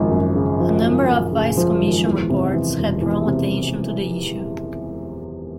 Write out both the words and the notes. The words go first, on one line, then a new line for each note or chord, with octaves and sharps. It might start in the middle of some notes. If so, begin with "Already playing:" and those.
A number of Vice Commission reports had drawn attention to the issue.
Already playing: G#1 F#2 C#3 F3
F#2
C#3
F3
G#1
F#2
C#3
F3
G#1
E2
C3
E3
E1
E2
C3